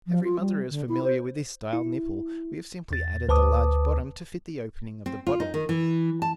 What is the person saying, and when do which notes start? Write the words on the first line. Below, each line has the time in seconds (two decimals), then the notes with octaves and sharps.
Every mother is familiar with this style nipple; we have simply added the large bottom to fit the opening of the bottle.
0.07 F3
0.24 F4
0.40 G3
0.69 D3
0.89 E4
1.04 C5
1.73 E4
2.91 E2 A6
3.29 D2 B4 A5 D6 D#6
5.06 C4
5.27 F4
5.40 D#4
5.54 D#3
5.69 E3
6.22 A5